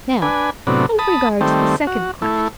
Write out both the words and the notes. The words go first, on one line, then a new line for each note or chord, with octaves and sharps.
"Now as regards the second question."
D4 B4 G#5
A2 C3 F#3 B3 D4
A5 B5 D#6
D#3 G3 A3 C4
F#4
A3 E4